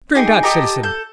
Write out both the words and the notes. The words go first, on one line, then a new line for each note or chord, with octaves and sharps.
Drink that, citizen.
D#4 G4 G#4 D#5
G4 A4 D#5 A#5
A4 G6